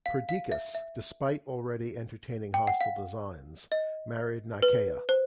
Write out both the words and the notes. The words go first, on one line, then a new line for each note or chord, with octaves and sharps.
Perdiccas, despite already entertaining hostile designs, married Nicaea.
F5
F5
E5
E5
G5
F#5
F5
D#5
B4
C5